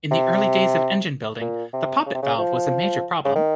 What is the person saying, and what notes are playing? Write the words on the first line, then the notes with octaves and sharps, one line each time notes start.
In the early days of engine building, the poppet valve was a major problem.
C3
A#2
C3
C#3
C3
C#3
F3
C#3
D#3